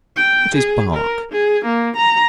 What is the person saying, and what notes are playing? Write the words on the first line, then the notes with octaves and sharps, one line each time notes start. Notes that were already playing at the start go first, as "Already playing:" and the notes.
What is Bark?
G5
G#4
A#4
G#4
A#3
A#5